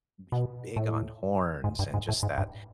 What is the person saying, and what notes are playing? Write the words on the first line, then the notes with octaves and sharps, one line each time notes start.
he big on horns and just that
B2
A2
G#2
G2
G#2
A2
G#2
G2